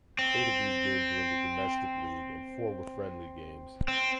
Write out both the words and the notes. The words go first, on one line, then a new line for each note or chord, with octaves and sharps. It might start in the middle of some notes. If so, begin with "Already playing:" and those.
Eight of these games were in the domestic league and four were friendly games.
C4
C4